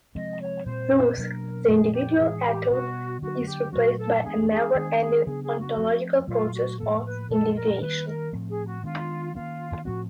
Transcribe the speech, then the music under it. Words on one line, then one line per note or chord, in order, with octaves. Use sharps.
Thus, the individual atom is replaced by a never-ending ontological process of individuation.
C3 F3 G#3 C4 D#5
C#5
A#2 G3 C4 C5
B2 F#3 A#3 D4 A#4
A#2 F3 A3 G#4
G4
A2 E3 G#3 C#4 G#4
G4
B2 G3 B3 F#4
D3 F#3 A#3 F#4
G4
A#2 F#3 A3 C#4 F#4
A4
E3 G#3 B3 D4 G#4
G#4
D#3 G#3 B3 D4 G#4
G#4
C#3 F#3 B3 D4 G#4
G#4
F#4
F3 A3 C4
A#2 F#3 A3 F4
F#4
A2 F3 A#3 A4
B4
A#2 F3 A3 C#4 A4
A#4
D#3 G3 A#3 B4
A#4
A2 F3 A3 C4
G#4
F#4
D#3 G#3 B3 D4 F4
D#3 F#3 A#3 C#4 F4
A2 F3 A3 C4 F#4